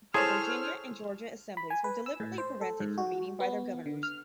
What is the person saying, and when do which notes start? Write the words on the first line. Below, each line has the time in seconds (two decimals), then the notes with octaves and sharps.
The Virginia and Georgia assemblies were deliberately prevented from meeting by their governors.
0.14 E4 G#4 A4 C5 C#5 A5 F6 E7
1.57 B5
1.70 G#5
1.84 B4
2.06 E6
2.20 A2
2.38 C5
2.61 A4
2.80 G#2
2.98 F#4
3.40 B3
3.86 D3
4.03 F6